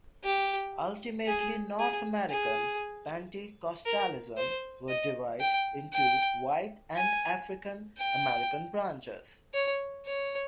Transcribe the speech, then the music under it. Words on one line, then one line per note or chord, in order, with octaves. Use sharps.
Ultimately, North American Pentecostalism would divide into white and African-American branches.
G4
G#4
G#4
G#4
A#4
C5
D#5
G5
G5
G#5
G5
C#5
C#5